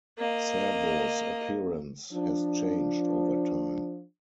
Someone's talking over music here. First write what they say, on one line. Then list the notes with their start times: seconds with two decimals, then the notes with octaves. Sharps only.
Servo's appearance has changed over time.
0.18 A#3 D#5
2.12 F3 D4